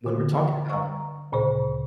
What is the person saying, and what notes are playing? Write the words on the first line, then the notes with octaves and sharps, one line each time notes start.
when we're talking about
D3
A#5 C#6
D2 A#2 C#3 C5